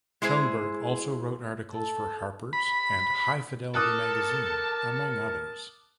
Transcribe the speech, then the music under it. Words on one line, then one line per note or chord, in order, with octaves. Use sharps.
Schonberg also wrote articles for Harper's and High Fidelity magazine, among others.
G#3 E4 G#4 C5
A4
B5
A4 A#4 A5 D6 D#6 F#6